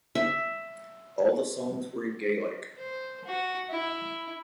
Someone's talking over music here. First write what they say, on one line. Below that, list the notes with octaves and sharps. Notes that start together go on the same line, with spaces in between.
All the songs were in Gaelic.
E5
C5
F#4
E4